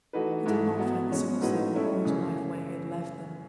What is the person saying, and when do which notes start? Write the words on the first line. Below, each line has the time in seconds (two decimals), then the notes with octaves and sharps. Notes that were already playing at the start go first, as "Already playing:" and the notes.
He did not find the civil servant or his wife where he had left them.
0.13 E3 A3 D#4 F#4 B4
0.46 G#2 E3 A3 E4
0.78 F#3 B3 F#4
1.09 B2 G#3 C#4
1.41 A2 G#3 D#4 F#4 B4
1.73 F#3 A3 C#4 E4
2.05 F#2 C#3 E3